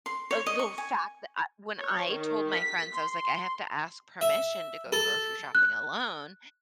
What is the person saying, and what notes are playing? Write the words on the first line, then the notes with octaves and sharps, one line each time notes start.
uh, the fact that I when I told my friends, I was like, "I have to ask permission to go grocery shopping alone."
C6
C#5
D#5
C#6
G#5
C#5
D#3
B6
C6
E5
A4
F#6